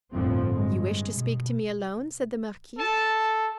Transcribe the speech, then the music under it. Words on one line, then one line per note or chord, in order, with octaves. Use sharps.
"You wish to speak to me alone?" said the marquis.
G1 F2 A2 D3 F3 C4
G2 G#3
B2
A4 A5